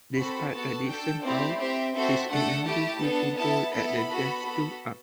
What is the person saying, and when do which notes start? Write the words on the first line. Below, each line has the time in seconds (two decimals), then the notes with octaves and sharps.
Despite a decent haul, his inability to bowl at the death stood out.
0.17 C4 F#4 A4 B5
0.52 B3 F#4 A4 A5
0.88 D4 A4 G5
1.23 A3 C4 E4 G4 D5
1.59 C4 G4 E5
1.94 C4 F#4 A4 E5
2.30 A3 D4 A4 F#5
2.66 A3 E4 G4 A5
3.02 B3 D4 A4
3.37 B3 E4 A4 A5
3.73 B3 E4 A4 B5
4.08 B3 F#4 A4
4.45 B3 F#4 A4